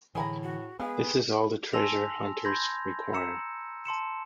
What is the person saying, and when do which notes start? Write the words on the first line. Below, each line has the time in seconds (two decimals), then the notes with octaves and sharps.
This is all the treasure hunters require.
0.15 A2 D3 E3 G#4 G#5 A#5 B5
0.43 F#4
0.80 G#3 B3 G#4 B4 F5
1.73 G#5 A5 C6 E6 A#6 F7
2.45 B5 C6 G6 G#6 A#6
3.13 A#5 E6 C#7 E7
3.85 A5 C6 C#7 E7